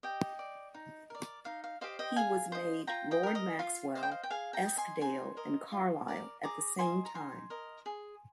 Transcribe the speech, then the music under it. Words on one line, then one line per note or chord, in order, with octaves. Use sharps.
He was made Lord Maxwell, Eskdale and Carlyle at the same time.
G4 D#5 G5
D5
D#4
A#4 D5
D#4 F5
F5
G4 C5 D#5 F5
D#5 G5
G#4 F5 G#5
C5 D#5
F4 G5 A#5
D#5 G5
A#4 D#5
D#5
F4 F5
C5 D#5 F5
G5
F5
G5
G#4 F5 G#5
G5 A#5
D#5
G#5 C6
D#4 G#5 C6
A#4 D#5
F4
A#4 D5
G#4 A#5 D6
C5 D#5 G#5 C6
A#5
D#4 G#5 C6
A#4 D#5
G#4